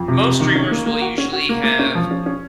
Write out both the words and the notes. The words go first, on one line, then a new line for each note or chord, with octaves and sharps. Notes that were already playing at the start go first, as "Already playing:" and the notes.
Most streamers will usually have
Already playing: F2
C3
C3
D#3
C#4
A#3
A#3
F#4
C#4
F#4
A#3
A#3
C#4
F3
C#4
C#4